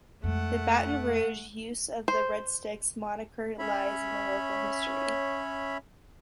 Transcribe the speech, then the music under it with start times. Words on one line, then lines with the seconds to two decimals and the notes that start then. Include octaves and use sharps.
The Baton Rouge use of the "Red Sticks" moniker lies in local history.
0.24 F2 G#3 A3 F#5
2.08 C5
3.59 C#4 C#5 E5 B5